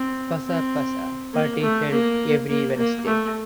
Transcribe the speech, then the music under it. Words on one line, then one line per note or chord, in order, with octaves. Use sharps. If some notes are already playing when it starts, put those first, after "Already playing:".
Passa Passa party held every Wednesday.
Already playing: C4
C4
A#3
A3
A#3
A#3
A#3
A3